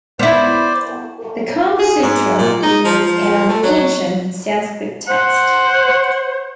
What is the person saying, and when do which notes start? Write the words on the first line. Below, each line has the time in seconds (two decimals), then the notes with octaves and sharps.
The "Kama Sutra" is an ancient Sanskrit text.
0.19 B3 E4 C5 D5
1.79 G#4
2.03 G#2
2.38 A#2
2.63 D#4
2.85 F3
3.06 F3
3.48 A3
3.63 F#3
5.08 C5 F#5